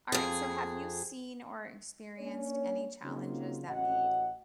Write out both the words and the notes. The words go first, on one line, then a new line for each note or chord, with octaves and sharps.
all right, so, have you seen or experienced any challenges that made
F2 G#4
A#3 C#4 D4 C#5
C#3 F#3 A#3 C4 D#4 F4
A1 C#4 F#4 D#5 F#5